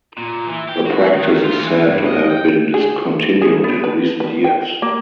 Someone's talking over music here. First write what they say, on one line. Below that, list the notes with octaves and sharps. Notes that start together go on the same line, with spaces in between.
The practice is said to have been discontinued in recent years.
A#2
E3
G4
F#4
D#3
F4
E3
G2
D#5
G5
G#4
G#4
B3
B4
B4
G5
A#3